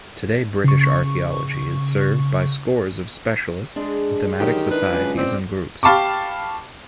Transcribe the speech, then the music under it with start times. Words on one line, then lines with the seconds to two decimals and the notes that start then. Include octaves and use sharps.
Today British archaeology is served by scores of specialist and thematic societies and groups.
0.64 C#3 C#6
3.76 G#3 D4
4.40 D3 D#3 F#3 G4
4.71 D4 E4 B4
4.91 C#2 F#3 D4 G#4
5.18 C4 D5
5.83 G4 F5 A5 B5 C#6 D6